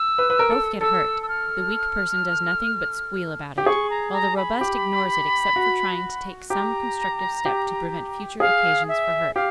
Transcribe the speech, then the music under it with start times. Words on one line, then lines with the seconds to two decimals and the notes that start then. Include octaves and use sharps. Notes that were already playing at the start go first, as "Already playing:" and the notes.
Both get hurt, but the weak person does nothing but squeal about it, while the robust ignores it except for trying to take some constructive step to prevent future occasions for hurt.
Already playing: E6
0.18 B4
0.30 B4
0.39 A#4
0.50 A4
0.81 A4 E6
1.23 E6
1.29 F6
3.58 G4
3.66 G#4 C#6
3.90 A#5
4.13 A#5
4.37 B5
4.61 G4
5.56 F#4
6.50 G4 A#5
7.45 G4
8.40 G#4 F5
8.88 E5
9.35 G4 F5